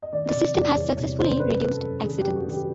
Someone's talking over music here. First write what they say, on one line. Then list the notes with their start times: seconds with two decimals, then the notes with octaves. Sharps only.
The system has successfully reduced accidents.
0.02 D#5
0.13 D#3 D5
0.29 D5
0.34 C3
0.55 E2
0.61 D5
0.76 E2 C#5
0.97 C3 C#5
1.19 D#3 C5
1.40 F#2 B4
1.62 F#2
1.72 A4
1.83 F#2
2.03 D#3 G#4
2.20 G4
2.25 F#2
2.36 F#4
2.46 D#3
2.52 G4